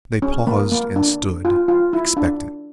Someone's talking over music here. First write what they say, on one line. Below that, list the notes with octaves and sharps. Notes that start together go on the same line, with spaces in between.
They paused and stood, expectant.
C#4
A#3
A#3
D4
F4
F4
E4
D4